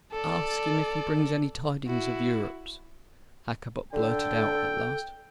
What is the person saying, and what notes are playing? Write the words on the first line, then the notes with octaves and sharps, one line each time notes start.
"Ask him if he brings any tidings of Europe," Hakkabut blurted out at last.
A4 D5
E4 F#4
D3 A4 G5